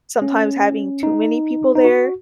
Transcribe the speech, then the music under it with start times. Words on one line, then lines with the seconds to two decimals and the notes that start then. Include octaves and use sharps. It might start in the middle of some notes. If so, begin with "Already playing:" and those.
sometimes having too many people there,
0.22 C#4
1.03 D#4
1.75 D#4
1.84 F#4